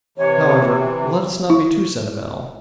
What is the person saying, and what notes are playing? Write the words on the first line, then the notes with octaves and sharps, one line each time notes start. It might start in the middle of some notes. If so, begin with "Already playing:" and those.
However, let us not be too sentimental.
C3 E3 C#5
E4